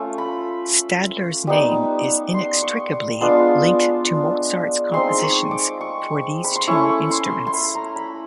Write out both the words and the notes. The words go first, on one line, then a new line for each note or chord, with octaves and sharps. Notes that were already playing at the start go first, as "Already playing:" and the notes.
Stadler's name is inextricably linked to Mozart's compositions for these two instruments.
Already playing: A3 C#4 F4
B5
G3 B3 D#4
C6
C#6
D6
G#3 B3 D4 F4 C6
G#3 C4 D#4 C6
C#6
D6
C#6
B5
C6
A3 C#4 E4 C#6
C6
C6
B5
A#5
B5